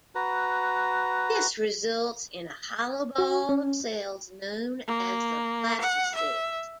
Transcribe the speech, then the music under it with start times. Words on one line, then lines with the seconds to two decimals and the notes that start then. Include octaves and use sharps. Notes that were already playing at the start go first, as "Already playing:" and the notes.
This results in a hollow ball of cells known as the blastocyst.
0.15 F#4 B4 A#5
3.18 F#4
3.49 C#4
4.87 A#3
5.81 F#5
6.14 E5